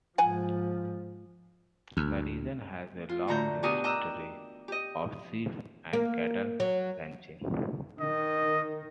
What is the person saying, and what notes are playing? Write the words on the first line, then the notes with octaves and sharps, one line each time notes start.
The region has a long history of sheep and cattle ranching.
G#2 F3 F#5 G#5
D2
F4
A2 D3 F#4 A#5 G6
B2 D4 F#4 G4 A#4 D#6
D#5 G5 A#5 D6 E6 F#6
G4 D#5
A#3
F#3
D#3 D#5